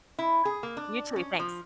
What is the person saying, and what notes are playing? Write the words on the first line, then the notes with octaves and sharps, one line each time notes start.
You too, thanks.
E4
G#4
A#3
D4
C#4
F3